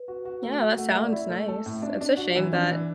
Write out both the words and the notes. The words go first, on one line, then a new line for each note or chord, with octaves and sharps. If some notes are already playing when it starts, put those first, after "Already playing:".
Yeah, that sounds nice. It's a shame that
Already playing: B4
F#4
F#4
A3
F#4
A3 F#5
A3 E5
D5
E4
E5
A3
A4
A2
D4 E5
D4
F#4
E3
D4
E3